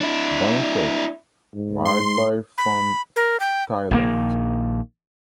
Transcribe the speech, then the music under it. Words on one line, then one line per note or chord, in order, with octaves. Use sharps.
Bangkok: Wildlife Fund Thailand.
D4 E4
G#2
C6
B5
A#4
G5
A#1 D#3 A#3